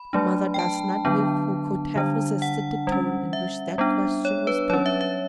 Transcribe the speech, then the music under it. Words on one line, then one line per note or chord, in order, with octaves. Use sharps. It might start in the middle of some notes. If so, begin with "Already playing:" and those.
The mother does not live who could have resisted the tone in which that question was put.
Already playing: B5
F#3 A3 D4
G5
A5
D3 F#3 B3 D4
D3 G3 D4
F#5
G3
C#4
E5
G3 B3 D4
C#5
B4
F#3 C#4 C#5
E5
E5